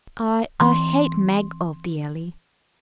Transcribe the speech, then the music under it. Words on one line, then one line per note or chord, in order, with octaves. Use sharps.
I--I hate Mag of the Alley.
E3 C4 C6